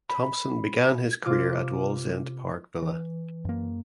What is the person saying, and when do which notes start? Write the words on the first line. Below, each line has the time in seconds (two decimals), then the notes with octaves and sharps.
Thompson began his career at Wallsend Park Villa.
0.09 B5
1.25 C3 F4 D6
2.82 E3
3.45 F#2 A#3